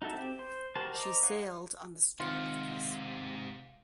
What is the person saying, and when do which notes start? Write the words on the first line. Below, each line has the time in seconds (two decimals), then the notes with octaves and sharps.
She sailed on the "Star of Peace".
0.02 D#4 F#4 A4 E5
0.13 C4 G4
0.39 C5
0.75 F#4 G4 A#4 C5 A5
0.94 A#4 C5 D#5 A#5 D6
1.23 D#4 C#5 F5 F#5
2.20 G#2 C3 D#3 F4 F#5